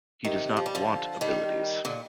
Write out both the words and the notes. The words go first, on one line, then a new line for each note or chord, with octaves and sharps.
He does not want abilities.
C3 D#3
F3
G3
D3 F3
D#3 G3
A#2 D3